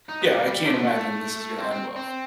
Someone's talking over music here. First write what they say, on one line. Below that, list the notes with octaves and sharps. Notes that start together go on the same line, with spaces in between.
yeah, I can't imagine this is gonna end well.
D#4
B3
G3
G3
A3
B3
A3
C4
C4
C4